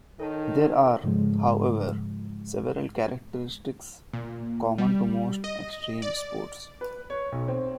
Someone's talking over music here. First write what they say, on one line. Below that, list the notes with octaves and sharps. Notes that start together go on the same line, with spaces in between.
There are, however, several characteristics common to most extreme sports.
D#3 A4 C#5 A5
G#2 C#3 F3 G#3
A#2
G3
D#5
D5
B4
C#5
B1
C4